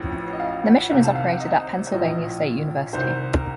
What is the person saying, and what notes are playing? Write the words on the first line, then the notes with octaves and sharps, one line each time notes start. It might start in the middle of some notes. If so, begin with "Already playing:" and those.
The mission is operated at Pennsylvania State University.
Already playing: A1 A2 F3
D#5
F5
F#5
C2 C3 D#3 F5
A5
F5
F#5
D#5
A#1 A2 F3 D#5
C2 C3 D#3 C5
A#4